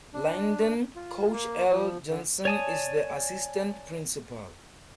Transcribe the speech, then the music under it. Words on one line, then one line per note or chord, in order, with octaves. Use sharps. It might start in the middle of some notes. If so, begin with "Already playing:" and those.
Lyndon "Coach L" Johnson is the Assistant Principal.
D4
F4
A#3
F3
D3
C#5 D5 G#5 A5 D#6